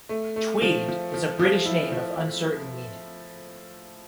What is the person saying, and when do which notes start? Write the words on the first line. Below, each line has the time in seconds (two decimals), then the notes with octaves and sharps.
"Tweed" is a British name of uncertain meaning.
0.09 A3
0.36 A3
0.62 F3
0.88 F3
1.14 F3
1.39 F3
1.66 E4
1.92 F3